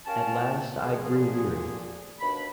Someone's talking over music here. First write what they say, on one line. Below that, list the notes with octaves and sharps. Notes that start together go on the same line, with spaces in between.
At last I grew weary.
C#4 G4 A#4 F5 A5
A#2 D3 F3 G#4
D#2 B2 D4 B5